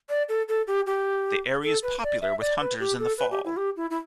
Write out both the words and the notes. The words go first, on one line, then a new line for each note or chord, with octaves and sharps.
The area is popular with hunters in the fall.
D5
A4
A4
G4
G4
A4
B4
D5
E5
D5
B4
G4
A4
B4
G4
E4
G4
E4
E4